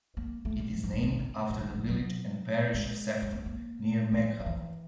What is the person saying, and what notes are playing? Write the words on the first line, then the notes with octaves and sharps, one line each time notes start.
It is named after the village and parish of Sefton, near Maghull.
A#3
A3
G3
F3
E3
D#3
D3
D#3
D3
E3
D#3
F3
F#3
G#3
G#3
A3
A#3
F3
E3
F3
E3